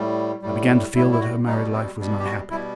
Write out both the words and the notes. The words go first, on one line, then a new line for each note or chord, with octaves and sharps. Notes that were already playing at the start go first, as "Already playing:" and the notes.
I began to feel that her married life was not happy.
Already playing: A2 G3
A2 G3
A2 G3 E4
E4
F#4
B2 G3 D#4
C4
B2 G3
G4
F#4
B2 G3 E4